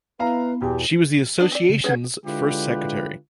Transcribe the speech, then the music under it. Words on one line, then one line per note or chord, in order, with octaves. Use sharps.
She was the Associations's first Secretary.
B3 E4 B4 F5 A#5
B1 E2 G4 G5 G#5
B3 D4 D5
C4 D5
C#3
A#3 C#4 G#4 B4 F#5 G#6
D3 G#3 E4 F4 G4 B4